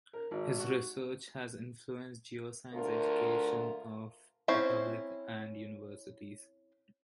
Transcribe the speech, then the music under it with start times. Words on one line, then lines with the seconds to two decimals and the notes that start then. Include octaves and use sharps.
His research has influenced geoscience education of the public and universities.
0.13 A#4
0.31 G#1
0.60 F#4
2.73 D2 F4 A#4
4.48 C4 C#4 E4 C5